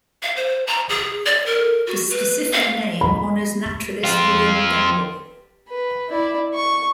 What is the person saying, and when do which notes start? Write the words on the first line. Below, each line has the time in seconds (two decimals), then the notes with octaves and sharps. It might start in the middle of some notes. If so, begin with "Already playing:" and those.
The specific name honors naturalist William Gambel.
0.22 F5
0.36 C5
0.67 A#5
0.89 G#4
1.26 D5
1.46 A#4
1.87 F#4
2.10 B4
2.52 F5
3.01 B5
4.04 C4 F4
5.69 B4
6.09 E4 D5
6.55 C#6